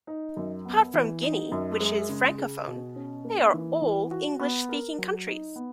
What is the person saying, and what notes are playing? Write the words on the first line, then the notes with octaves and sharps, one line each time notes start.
Apart from Guinea, which is Francophone, they are all English speaking countries.
D#4
F#2
B3
E3
D#4
F#2
G#3
C#3
G#4
B2
C#4
A#3
E3
E3
F#4
B3
A#4
F#3
D#4
B3